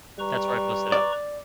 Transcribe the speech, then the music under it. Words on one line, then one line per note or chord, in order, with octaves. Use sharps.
That's where I posted up.
G3 B4 A#5 C#6
D5